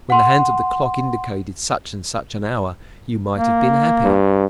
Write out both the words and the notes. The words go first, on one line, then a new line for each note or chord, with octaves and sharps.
When the hands of the clock indicated such and such an hour, you might have been happy.
F#5 C6
A#3
G2